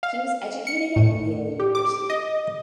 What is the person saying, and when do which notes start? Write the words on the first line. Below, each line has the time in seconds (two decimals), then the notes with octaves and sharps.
He was educated at Yale University.
0.03 F5
0.67 C#7
0.96 A2
1.60 G4
1.75 D6
2.10 D#5